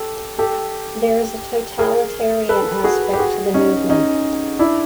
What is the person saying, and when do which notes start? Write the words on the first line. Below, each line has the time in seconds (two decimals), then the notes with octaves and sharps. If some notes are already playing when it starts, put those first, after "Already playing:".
There is an totalitarian aspect to the Movement.
Already playing: G4 A4
0.39 G4 A4
1.79 G#4 A#4
2.49 A4 B4
2.84 F#4 G#4
3.13 G4
3.19 F#4 G#4
3.54 C#4 D#4
3.90 C#4 D#4
4.59 D4 E4